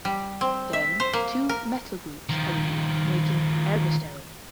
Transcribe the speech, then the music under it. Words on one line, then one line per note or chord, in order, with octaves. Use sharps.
Then, two methyl groups are removed, making ergosterol.
G3
C4
E5
C5
A#3
A#4
D#3 F3